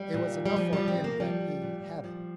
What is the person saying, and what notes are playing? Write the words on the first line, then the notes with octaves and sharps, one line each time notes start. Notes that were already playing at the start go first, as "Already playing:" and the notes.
It was enough for him that he had it.
Already playing: G3
A#2
F3
G3
A#2 F3
F3 G3
C4
F3
A#3
F3 G3
F3
A#2
A#2
F3